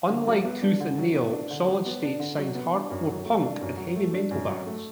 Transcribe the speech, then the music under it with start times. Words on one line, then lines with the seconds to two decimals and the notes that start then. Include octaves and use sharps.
Unlike Tooth and Nail, Solid State signs hardcore punk and heavy metal bands.
0.09 D3
0.27 F#3
0.44 B3
0.62 D4
0.80 D3
0.98 F#3
1.15 B3
1.32 D4
1.50 D3
1.68 F#3
1.86 B3
2.02 D4
2.20 D3
2.38 F#3
2.55 B3
2.73 D4
2.90 F#2
3.08 F#3
3.25 A3
3.42 D4
3.61 F#2
3.77 F#3
3.96 A3
4.14 D4
4.31 F#2
4.47 F#3
4.66 A3